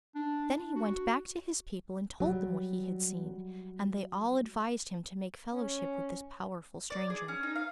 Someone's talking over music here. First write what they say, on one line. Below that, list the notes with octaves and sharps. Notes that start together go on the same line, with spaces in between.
Then he went back to his people and told them what he had seen, and they all advised him to make fellowship with this powerful stranger.
D4
D4
F#4
F#3 G3
C#4
D5
G#4
C#4
D#4
F5